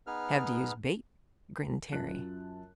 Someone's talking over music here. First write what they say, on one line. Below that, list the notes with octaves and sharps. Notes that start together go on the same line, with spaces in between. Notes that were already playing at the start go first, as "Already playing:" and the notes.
"Have to use bait," grinned Terry.
B3 D#4 G#4 B4 F6
F#2 F4 A5 F#6